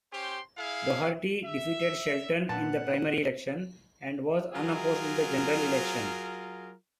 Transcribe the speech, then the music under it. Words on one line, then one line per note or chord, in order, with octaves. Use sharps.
Dougherty defeated Shelton in the primary election, and was unopposed in the general election.
C#4 G4 C5 C6
E4 G#4 F5
E5
A#2 D4 B4 F#5 A5
F#3 F4 G#4 A#4